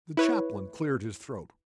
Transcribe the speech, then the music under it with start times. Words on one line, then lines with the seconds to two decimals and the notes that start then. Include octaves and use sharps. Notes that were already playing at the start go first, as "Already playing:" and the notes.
The chaplain cleared his throat.
0.17 E4 B4 C#5